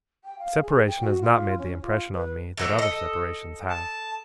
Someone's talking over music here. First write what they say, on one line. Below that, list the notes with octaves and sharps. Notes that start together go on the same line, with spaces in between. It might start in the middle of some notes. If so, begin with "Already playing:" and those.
The separation has not made the impression on me, that other separations have.
G5
F5
G#4
G5
F#4
F4
C#4
F4
B4
E3 F#3 A3
A4 D#5
A5